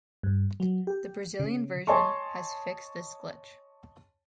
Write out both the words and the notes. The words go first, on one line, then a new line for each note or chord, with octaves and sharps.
The Brazilian version has fixed this glitch.
G2
F#3
G4
C#3
C#5 D#5 G#5 A5 C6 C#6